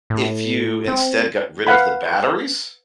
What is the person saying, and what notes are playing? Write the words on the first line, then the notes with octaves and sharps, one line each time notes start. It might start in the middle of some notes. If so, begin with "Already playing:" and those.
if you instead got rid of the batteries,
A2
C4
B4 F5 F#5 B5